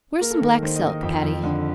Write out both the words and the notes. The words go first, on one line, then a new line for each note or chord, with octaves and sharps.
"Where's some black silk, Patty?"
A#3 A#4
A4
D#3 A#4
D#3 C5
D#5
D#3
D#5
F2 G5
F2
D3